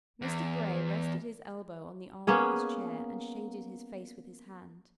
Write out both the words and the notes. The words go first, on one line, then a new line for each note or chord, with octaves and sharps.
Mr Bray rested his elbow on the arm of his chair, and shaded his face with his hand.
E2
A#3 B3 C#4 G#4